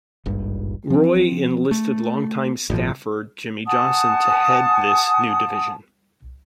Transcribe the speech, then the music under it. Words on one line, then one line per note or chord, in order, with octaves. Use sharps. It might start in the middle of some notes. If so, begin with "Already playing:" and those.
Roy enlisted longtime staffer Jimmy Johnson to head this new division.
D#1 G#1 G2
F3 C4
A3
G#1 A#2 C#3 F3
F#5 G#5 A5 D#6